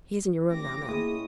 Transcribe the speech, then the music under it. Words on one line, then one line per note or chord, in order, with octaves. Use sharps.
He is in your room now, ma'am.'
A1 C4 F4 G4 D6 A#6
A2 G#3 A#3 C#4 E4 G#4 D#6